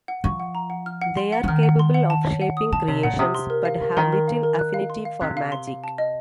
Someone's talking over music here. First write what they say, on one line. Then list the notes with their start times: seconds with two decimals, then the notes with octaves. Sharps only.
They are capable of shaping creations, but have little affinity for magic.
0.08 F#5
0.24 F3 C#6
0.40 F#5
0.55 A#5
0.70 F#5
0.86 F6
1.01 F#5
1.17 C6
1.32 F#5
1.44 F3
1.48 D#3 F6
1.63 F#5
1.79 C6
1.94 F#5
2.10 A5
2.26 C#5
2.41 F#5
2.57 D#6
2.72 D#3 A5
2.88 C3 C#5
3.03 A#2 F#5
3.19 C3 D#6
3.35 C6
3.50 A#4
3.65 F5
3.82 A#4
3.97 D#3 C6
4.13 A#4
4.28 F5
4.43 A#4
4.59 F#6
4.74 F5
4.90 C6
5.05 F5
5.21 C3 F#6
5.37 F5
5.52 C6
5.67 F5
5.84 A5
5.98 D#5